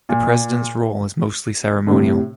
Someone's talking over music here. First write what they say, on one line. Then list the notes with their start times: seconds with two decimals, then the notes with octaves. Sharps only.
The President's role is mostly ceremonial.
0.09 A#2
1.87 D3
1.91 A2 C3